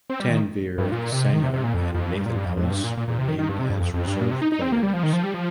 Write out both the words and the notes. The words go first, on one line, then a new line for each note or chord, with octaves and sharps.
Tanveer Sangha and Nathan Ellis were named as reserve players.
C4
G3
D#3
G2
A#2
C3
D#3
C3
C3
A#2
F2
F2
G2
A#2
G2
F2
F2
G2
A#2
A#2
A#2
C3
D#3
D#3
G2
C3
G2
F2
F2
G2
A#2
C3
D#4
D#4
C4
A#3
G3
F3
D#3
F3
G3
F3